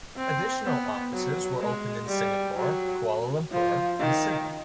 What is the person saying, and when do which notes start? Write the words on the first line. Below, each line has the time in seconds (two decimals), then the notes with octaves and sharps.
Additional offices were opened in Singapore, Kuala Lumpur and in Sydney.
0.17 C4
0.64 B3
1.12 F#3
1.59 G#3
2.07 G3
2.56 F#3
3.52 F3
4.00 D#3